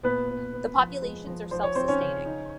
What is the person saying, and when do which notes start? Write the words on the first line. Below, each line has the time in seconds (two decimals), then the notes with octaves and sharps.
The populations are self-sustaining.
0.03 A#2 B3 B4
0.29 B3
0.53 B3
0.78 F3
1.02 G#3
1.27 F3
1.51 F3 C5
1.63 C#5
1.75 F3 C4 C5
1.88 C#4 C#5
2.01 C#3
2.26 D#4